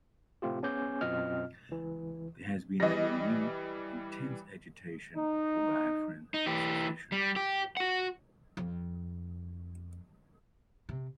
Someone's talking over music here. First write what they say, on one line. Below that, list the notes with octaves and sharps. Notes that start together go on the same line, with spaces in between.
There has been a renewed, intense agitation for Biafran secession.
A2 C3 A3 C4 F4 G4
B3 C#4 G#4 G#5 D6 G6
F#2 B2 C4 F4 D#5 F6
C#2 E3
E3 G3 D#5 A#6
D#4
D#4
E3 G4
G3
G4
F#4 F#5
F2
C3